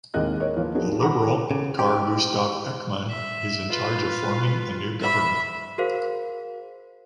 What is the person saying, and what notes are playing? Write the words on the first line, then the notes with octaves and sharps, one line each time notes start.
The liberal, Car Gustav Ekman is in charge of forming a new government.
D#2 C3 G#3 A#3 D#5 F#6
A#4 C#5 D#5
F3 A#3 B3
B3 D4 D#4 F#4 G#4 A#4
F#5 A#5 B5 D6
C#3
G4
E5
F4 B4
E5 B5
F#4 G#4 A#4 C5 F5